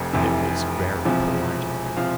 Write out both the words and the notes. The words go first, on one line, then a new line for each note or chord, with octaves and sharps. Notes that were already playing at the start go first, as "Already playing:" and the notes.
"It was very polite of you."
Already playing: F1 F2
F1 F2 C3 E3
E1 E2 C3 F3
C3 F3 F5